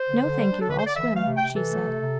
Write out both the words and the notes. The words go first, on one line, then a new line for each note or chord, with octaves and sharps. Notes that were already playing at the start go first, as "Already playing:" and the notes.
"No, thank you; I'll swim!" she said.
Already playing: C5
D3
D3
G3
D4
A4
D3 B4
D3 C5
D5
E3 E5
A3 F5
C3
C3 G5
E3 A4
A3
C3
C3